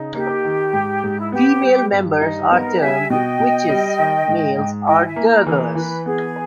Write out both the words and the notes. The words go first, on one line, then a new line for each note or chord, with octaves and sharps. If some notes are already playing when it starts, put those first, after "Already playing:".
Female members are termed 'Witches', males are 'Dirgers'.
Already playing: C#3 D#4
A#3 G4
D#3
G#2
G#2
E4
B3 G4
G3
G2
D#4
B3 A#4
G3 E5 G#5
B2 D#5 G5
B2
G3
D#3
G#2
G#2
E4 D#5 G5
E5 G#5
A#3
A#4
E3 G#4
E3 B4
B3 G#4